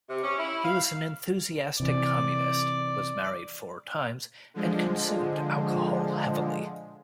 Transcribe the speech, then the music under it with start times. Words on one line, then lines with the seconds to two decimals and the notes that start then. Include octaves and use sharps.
He was an enthusiastic communist, was married four times and consumed alcohol heavily.
0.08 C3
0.22 C#4
0.38 E4
0.63 F5
1.80 C3 E3 D5
4.54 D3 F3 G#3